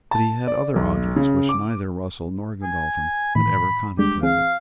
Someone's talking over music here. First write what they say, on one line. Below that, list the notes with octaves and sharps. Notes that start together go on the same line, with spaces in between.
But he had other objects which neither Russell nor Godolphin had ever contemplated.
A5
D5
B1
C#3
D6
G#5
A2 D#3 E3 B5
G3 G#3 D4 G4
E3 C4 G#4 F5